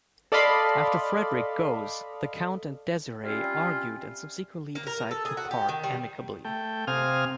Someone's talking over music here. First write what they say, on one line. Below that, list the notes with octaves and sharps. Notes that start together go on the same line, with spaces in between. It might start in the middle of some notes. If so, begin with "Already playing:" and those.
After Fredrik goes, the Count and Desiree argue and subsequently decide to part amicably.
A4 D5 D#5 F5 B5 C6
G3 C4 C#4 E4 F4
A#3
A#4
A4
G#4
F#4
G4
D#3
G3
A3 G5
C3 F5 G#5 D#6 F6